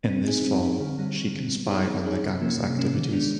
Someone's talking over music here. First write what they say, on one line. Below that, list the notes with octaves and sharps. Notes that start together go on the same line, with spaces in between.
In this form, she can spy on the Gang's activities.
C4
D#4 G#4
C4
D#4 G#4
D3
G3 C4
D3
G3
C4
B3
D#4 G#4 C#5
B3
D#4 G#4 C#5
C3
F3 A#3 C#4
C3
F3 A#3 C#4
D#3
G#3 B3 D4